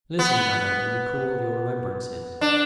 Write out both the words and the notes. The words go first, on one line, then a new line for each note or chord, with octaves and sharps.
Listen, madame, and recall your remembrances.
B3
D4